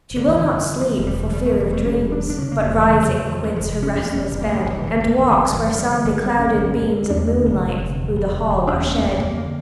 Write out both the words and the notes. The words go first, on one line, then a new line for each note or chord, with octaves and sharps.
She will not sleep, for fear of dreams, But, rising, quits her restless bed, And walks where some beclouded beams Of moonlight through the hall are shed.
G1
D3
G1 E3
F2
D3
D2 F3
E1
G3
E1
C#3 G3
A3
E1
G3
E1
A3
E1 C#4
E1
D4
D2
D4
C#3 C#4
A#3
E1
A3
E1 E3
C#3 E3
F2
D3
F2
F3
F2 E3
F3
F1
F2 C#4
F2 C#4
A#3
F1 C#4
F1
A#3
F1 A3
F3
F1
E3
F1 D3
G1 D3
G1
E3
G1
G1 E3
F3
D3
G3
D3 F3
G1 G3
G1 G3
G1 C#4
G1 C#4
G1
D3
E2 D4
D3
F1
D3
F1
E2
F1
D3
F1
E2 D4
C#4
F1 A#3
C#4
F1
F2 A#3
D3 A#3